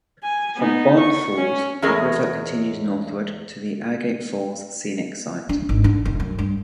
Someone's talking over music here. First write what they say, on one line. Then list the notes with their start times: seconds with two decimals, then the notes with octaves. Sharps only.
From Bond Falls, the river continues northward to the Agate Falls Scenic Site.
0.24 G#5
0.57 B3 D#4
1.00 C#6
1.37 C#4
1.82 E2 C#4 G#4 A#4 D#5
5.49 D4
5.69 G#1
5.84 D3
6.05 F1
6.20 F#2
6.38 G2